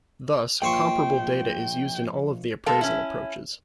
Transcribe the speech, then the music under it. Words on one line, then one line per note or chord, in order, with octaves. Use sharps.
Thus, comparable data is used in all of the appraisal approaches.
A#1 C5 G5 C#6
G#3 A#3 A4
C#4 E4